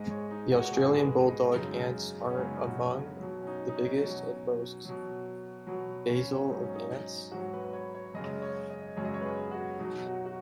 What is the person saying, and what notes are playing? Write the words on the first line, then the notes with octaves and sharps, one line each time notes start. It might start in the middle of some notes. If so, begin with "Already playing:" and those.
The Australian bulldog ants are among the biggest and most basal of ants.
Already playing: G#2 G#3 D#5
C#5
D#4
F#4
G#2 G#3 G#4
B4
D#5
F#2 C#3 G#3 D#4
B3
C#4
F#2 C#3 G#3 D#4
D#4
F#4
C#4
B2 F#3
C#4
D#4
D#4
C#4
B2 F#3
B2 F#3
B2 F#3 B3
C#4
G#2 F#3 D#4
C#4
D#4
G#2 F#3 F#4
B4
B4
C#5
C#5
F#2 C#3 G#3 D#5
C#5
D#5
F#2 C#3 G#3 C#5
D#5
C#5
B4
G#4
F#4
B2 F#3 D#4
F#4
F#4